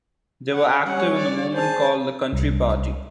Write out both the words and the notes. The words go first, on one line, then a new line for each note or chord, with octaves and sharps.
They were active in the movement called the Country Party.
F#5
G3 C#4 C#5 F#5
D5
G#4 C5 A5
C2